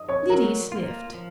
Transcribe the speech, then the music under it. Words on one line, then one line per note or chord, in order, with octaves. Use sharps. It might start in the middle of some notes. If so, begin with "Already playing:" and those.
Liddy sniffed.
Already playing: D#5 D#6
C#5 C#6
F#3 A#4 A#5
A#3 F4
F3